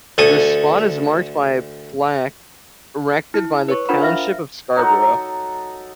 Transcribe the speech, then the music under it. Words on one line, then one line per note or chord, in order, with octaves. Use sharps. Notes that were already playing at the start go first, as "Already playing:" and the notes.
The spot is marked by a plaque erected by the Township of Scarborough.
D2 A4 G#5 C#6 D#6
E4
B4 C#5 C#6
D4 F4 A#4 C5 F#5 B5
E5 F5 F6 A#6
F#3 D#4 A4 F#5